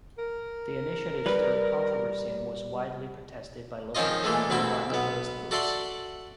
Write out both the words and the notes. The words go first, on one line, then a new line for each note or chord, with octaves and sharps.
The initiative stirred controversy and was widely protested by locals and environmentalist groups.
A#4
G3 B4
D#3 F3 C4 C#4 F4 D#5
A#2 E3 G#3 A3
D2 G2 B2 C4 E4
B1 B3
F#4 A4 D5 E5 A5 C6